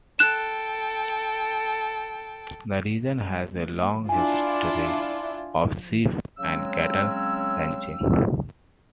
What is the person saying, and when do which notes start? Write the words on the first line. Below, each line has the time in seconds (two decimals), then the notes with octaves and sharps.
The region has a long history of sheep and cattle ranching.
0.19 A4 G5 F#6 E7
4.09 D4 E4 F4 G#5
6.38 C#3 F#3 G#3 C4 C#4 E6